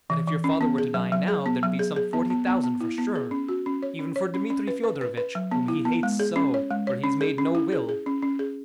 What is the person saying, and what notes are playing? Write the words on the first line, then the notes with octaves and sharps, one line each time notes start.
But if your father were to die now, there'd be some forty thousand for sure, even for Dmitri Fyodorovitch whom he hates so, for he's made no will....
E3
E3
C#4
B3
G#4
F#3
F#3
G#4
B3
F#3
G#4
G#4
B3
B3
B3
B3
E4
B3
G#4
C#4
F#4
C#4
C#5
C#4
C#5
C#4
C#4
B4
B4
B4
B4
F#3
B3
E4
B3
G#3
G#4
C#4
C#5
G#3
C#5
C#4
G#4
C#4
E4
G#4
G#4
C#4
C#4
G#4